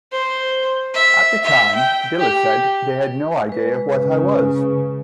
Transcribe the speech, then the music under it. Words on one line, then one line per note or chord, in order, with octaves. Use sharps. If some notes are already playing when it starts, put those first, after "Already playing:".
At the time, Diller said, They had no idea what I was.
C5
E5
E5
G5
G4
G#3 B4
C#3